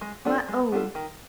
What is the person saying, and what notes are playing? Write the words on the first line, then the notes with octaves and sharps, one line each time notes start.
My own!
G#3
B3 D4 F4 A4
G#3
B3 D4 F4 A4
D#3